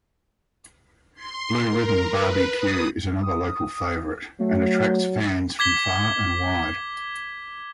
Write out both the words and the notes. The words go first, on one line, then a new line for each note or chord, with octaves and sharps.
Blue Ribbon Bar-B-Q is another local favorite, and attracts fans from far and wide.
C6
A#4
B4
D#6
D#6
F#3 A3
D6 G#6 B6 G7